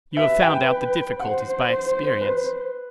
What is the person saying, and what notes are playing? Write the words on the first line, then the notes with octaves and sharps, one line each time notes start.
'You have found out the difficulties by experience.'
B4 E5
G5
C5 F#5
B4